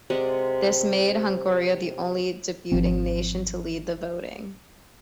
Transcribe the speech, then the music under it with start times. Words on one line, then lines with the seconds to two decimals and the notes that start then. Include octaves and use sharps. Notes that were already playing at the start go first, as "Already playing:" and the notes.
This made Hungary the only debuting nation to lead the voting.
0.10 C3 G#3 D5 F#5
2.72 G#1 F3 C4